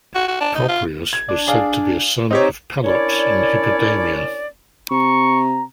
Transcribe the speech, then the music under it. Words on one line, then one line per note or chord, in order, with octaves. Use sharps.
Copreus was said to be a son of Pelops and Hippodameia.
F#4
F#4
D4
D#4
F4
G#6
D4
G#4 D5 F5
C4 D#4 G4 C#5
C#4 D4 E4 A#4 C#5 D5
C3 A#5 C#6